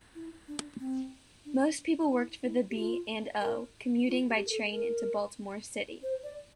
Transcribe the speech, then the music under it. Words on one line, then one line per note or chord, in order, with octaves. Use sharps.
Most people worked for the B and O, commuting by train into Baltimore City.
E4
D4
C4
D4
E4
E4
G4
F4
A#4
F4
G4
A#4
A4
A#4
C5
D5